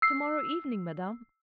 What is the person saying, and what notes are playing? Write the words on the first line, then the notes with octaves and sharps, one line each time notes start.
"To-morrow evening, madam."
E6 C7